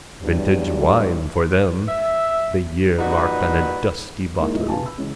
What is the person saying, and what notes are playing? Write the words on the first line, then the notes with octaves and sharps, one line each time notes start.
Vintage wine for them, the year marked on a dusty bottle.
E2 G2 F#3 G3
E5
A#2 G3 D#4 F#4 B4
G#3 A#3 D#4 E4
G#3 A3 E4 F4 D#5
B4 F5 G#5 A5
B5 E6
C#3 E3 G#3 C#4